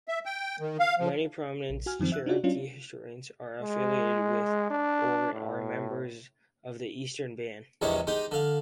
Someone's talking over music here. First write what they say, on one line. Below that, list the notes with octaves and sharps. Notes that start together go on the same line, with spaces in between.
Many prominent Cherokee historians are affiliated with, or are members of the Eastern Band.
E5
G5
D#3
F5
F3
A#1
F#4 G#5 F6
F#2 D#3 F3 C4
E5 F#6
D4 D#4 F4 F#4 D5
F#3 C#4 D4 F4
G#3
D4
A2
A#1 E2 C3 G3 G#3 C#5
G#3 D#4 G4
D3 F5